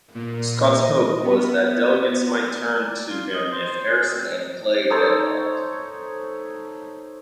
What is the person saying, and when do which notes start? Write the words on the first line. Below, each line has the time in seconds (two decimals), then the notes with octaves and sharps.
Scott's hope was that delegates might turn to him if Harrison and Clay deadlocked.
0.15 A#2
0.82 D#5
1.23 B3
2.87 D5
3.10 F4
3.34 D#5
3.52 C5
3.89 G#4
4.10 C4
4.90 D#4 A4 C5 C#5